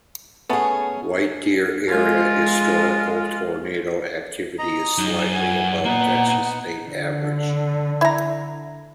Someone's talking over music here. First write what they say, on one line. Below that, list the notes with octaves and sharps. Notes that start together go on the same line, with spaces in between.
White Deer-area historical tornado activity is slightly above Texas state average.
A3 B3 C#4 G#4 A5
G#3 F4
D#5 A#5
F#2 D#4
F#5 G#5
A#2 A#3 B3 D#4
D3
E4 A#5